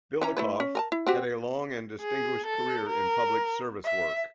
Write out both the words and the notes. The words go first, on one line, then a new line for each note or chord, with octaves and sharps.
Billikopf had a long and distinguished career in public service work.
E3 C#4 A#5
A3 E4 B4
C#4
A#4 G#5 A5
E4
C4 F#4 G4
G#4
A4
A#4
E5